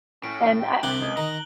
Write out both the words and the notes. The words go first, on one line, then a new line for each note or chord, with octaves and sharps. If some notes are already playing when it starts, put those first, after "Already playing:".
and I
A2 C#4 D7
G5
C2 C3 D4 F#6 F#7 G7
C#2 D#5
D#3 A#5